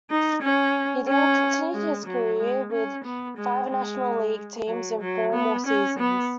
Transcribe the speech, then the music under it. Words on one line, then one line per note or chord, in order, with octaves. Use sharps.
He then continued his career with five National League teams in four more seasons.
D#4
C#4
C#4
G#3
F#3
G#3
C#4
B3
G#3
G#3
F#3
F#3
B3
C#4
B3